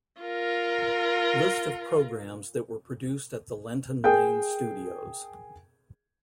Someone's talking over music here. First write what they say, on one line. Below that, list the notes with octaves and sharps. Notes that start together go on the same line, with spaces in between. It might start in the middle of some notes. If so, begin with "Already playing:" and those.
List of programmes that were produced at the Lenton Lane Studios.
F4 A#4
G#4 A#4 G5 G6